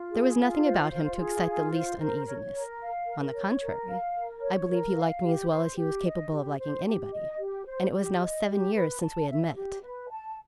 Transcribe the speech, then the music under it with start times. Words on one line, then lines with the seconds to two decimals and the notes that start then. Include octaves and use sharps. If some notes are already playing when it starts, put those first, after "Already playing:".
There was nothing about him to excite the least uneasiness; on the contrary, I believe he liked me as well as he was capable of liking anybody, and it was now seven years since we had met.
Already playing: F4
0.10 G#4
0.37 F4
0.64 C5
0.91 F4
1.17 G#4
1.45 F4
1.72 C5
1.99 A#4
2.26 C#5
2.53 A#4
2.80 F5
3.07 A#4
3.33 C#5
3.61 A#4
3.88 F5
4.15 A#4
4.42 C#5
4.69 A#4
4.96 F5
5.22 G4
5.50 C5
5.77 G4
6.04 D#5
6.31 G4
6.59 C5
6.86 G4
7.13 D#5
7.39 G4
7.66 C5
7.93 G4
8.20 D#5
8.47 G4
8.74 B4
9.01 A5
9.29 E5
9.56 G4
9.82 B4
10.10 A5